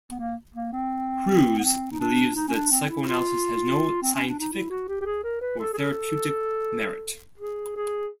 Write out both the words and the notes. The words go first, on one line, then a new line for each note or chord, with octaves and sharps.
Crews believes that psychoanalysis has no scientific or therapeutic merit.
B3
A#3
A#3
C4
B3
C4
D#4
D4
D#4
C#4
D4
C4
E4
F4
C4
C#4
D4
D#4
E4
F#4
G4
G4
G#4
A#4
B4
A4
G#4
A4
G#4
G#4